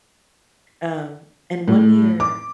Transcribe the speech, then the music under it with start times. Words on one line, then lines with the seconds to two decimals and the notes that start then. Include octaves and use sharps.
Um, and one year,
1.68 A2
2.20 D6